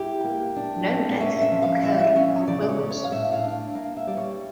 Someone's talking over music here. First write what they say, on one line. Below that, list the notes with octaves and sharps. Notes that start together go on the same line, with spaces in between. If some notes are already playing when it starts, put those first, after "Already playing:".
No deaths occurred on "Wilkes".
Already playing: E4 G4
A#3
D4
A#3
D5
C#4 E5
E5
F3
F5
E4 E5
F5
E5
C#4 E5
C#3 D5
D5
C#5
C#4
C#5
F5
A2 E5
F5
D4
A#3 F5
E5
G3 D5
C#5